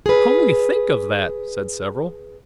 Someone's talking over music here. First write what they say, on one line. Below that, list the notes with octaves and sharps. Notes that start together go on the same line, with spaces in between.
"Only think of that!" said several.
G#4 B4